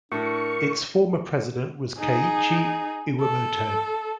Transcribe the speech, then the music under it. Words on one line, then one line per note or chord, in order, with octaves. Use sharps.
Its former president was Keiichi Iwamoto.
A2 D4 A#4 C#6
D#4 G#4
A4